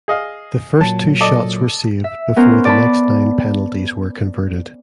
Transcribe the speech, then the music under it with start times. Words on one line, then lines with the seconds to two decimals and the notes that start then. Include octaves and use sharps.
The first two shots were saved before the next nine penalties were converted.
0.08 G#4 D#5 F5
0.81 A#2 F#3 A5
1.21 A4 D5 D#5
2.04 E5
2.36 B3 C#4 A#4 C5
2.65 D5 A5 B5